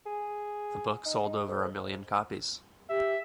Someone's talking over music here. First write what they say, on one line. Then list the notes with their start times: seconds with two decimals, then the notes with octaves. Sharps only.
The book sold over a million copies.
0.06 G#4
1.06 D#4
1.48 F2
2.89 G4 E5